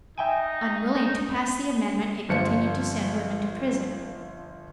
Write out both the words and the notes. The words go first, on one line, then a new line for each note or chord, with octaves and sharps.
Unwilling to pass the amendment, it continued to send women to prison.
D#4 E5 G5 G#5
G1 F3 C#7